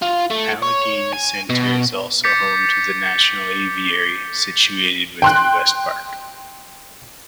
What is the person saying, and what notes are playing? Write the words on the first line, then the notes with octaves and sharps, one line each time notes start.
Allegheny Center is also home to the National Aviary, situated within West Park.
F4
A3
C#5
G#5
B2
D6 G6 A6 B6 C#7
G5 C6 F#6